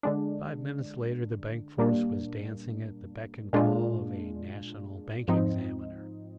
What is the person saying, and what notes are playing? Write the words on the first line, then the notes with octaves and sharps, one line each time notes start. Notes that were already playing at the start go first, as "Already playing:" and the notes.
Five minutes later the bank force was dancing at the beck and call of a national bank examiner.
D3 G#3 D4
A#2 G3 A#3 D4
A#2 G#3 D4 F4
G#2 F3 C4 D#4